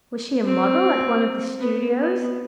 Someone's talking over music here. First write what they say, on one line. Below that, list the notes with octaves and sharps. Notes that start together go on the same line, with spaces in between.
Was she a model at one of the studios?
C4
B3
B3